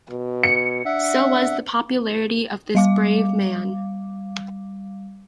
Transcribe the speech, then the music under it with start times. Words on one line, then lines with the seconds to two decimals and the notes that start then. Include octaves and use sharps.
So was the popularity of this brave man.
0.10 B2
0.43 C#7
0.85 D4 E5 F#5
2.75 G3 F5 D6